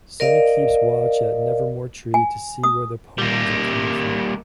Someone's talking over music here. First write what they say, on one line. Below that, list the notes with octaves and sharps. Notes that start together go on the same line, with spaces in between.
Sunny keeps watch at Nevermore Tree to see where the poems are coming from.
A#4 D5 D#5 F5
G#5
D#6
G3 A#3